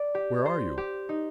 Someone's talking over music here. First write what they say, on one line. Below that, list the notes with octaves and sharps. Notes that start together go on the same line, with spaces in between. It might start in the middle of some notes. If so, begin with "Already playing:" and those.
"Where are you?"
Already playing: D5
G4
C5
G4
D#4